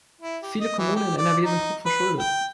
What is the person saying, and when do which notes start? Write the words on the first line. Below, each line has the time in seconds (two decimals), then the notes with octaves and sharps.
Viele Kommunen in NRW sind hochverschuldet.
0.21 E4
0.43 G4
0.60 D#5
0.78 E3
0.96 G4
1.17 D5
1.45 D#4
1.86 B4
2.19 G5